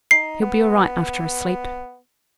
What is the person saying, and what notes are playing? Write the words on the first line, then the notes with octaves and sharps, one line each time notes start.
He'll be all right after a sleep.'
D#4 C7
B3